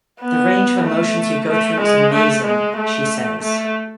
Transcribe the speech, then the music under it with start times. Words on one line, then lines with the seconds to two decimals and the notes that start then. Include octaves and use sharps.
"The range of emotions you go through is amazing", she says.
0.22 B3
0.86 A3
1.49 A3
1.81 G#3
2.14 A3
2.45 G#3
2.77 A3
3.41 A3